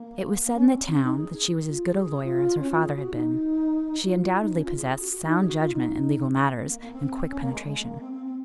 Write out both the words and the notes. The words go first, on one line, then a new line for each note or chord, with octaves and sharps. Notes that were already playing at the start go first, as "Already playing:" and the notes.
It was said in the town, that she was as good a lawyer as her father had been; she undoubtedly possessed sound judgment in legal matters, and quick penetration.
Already playing: A#3
A#3
C#4
C4
C4
C#4
D#4
G#4
G#4
F4
G#4
F4
C#4
F4
G#4
F#4
D#4
F4
D#4
C#4
F4
G#4
G#4
F#4
F#4
D#4
G#4
F#4
F4
D#4
C4
A#3
A#3
C4
C#4
A#3
G#3
A#3
G#3
A#3
C4
C4
C4